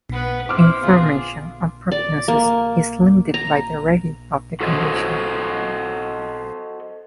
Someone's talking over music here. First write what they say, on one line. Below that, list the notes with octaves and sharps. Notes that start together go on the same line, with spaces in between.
Information on prognosis is limited by the rarity of the condition.
B3 B4
C4 E4 C5 D6 F6
D3 B3 F4 G#4
D5
A#3
A#5
F#4 A4 C5 C#5 D#5